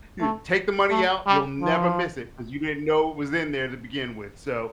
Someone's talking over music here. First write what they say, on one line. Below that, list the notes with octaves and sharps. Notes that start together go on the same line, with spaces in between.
eh, take the money out, you'll never miss it, 'cause you didn't know it was in there to begin with. So,
A3
A3
G3
F3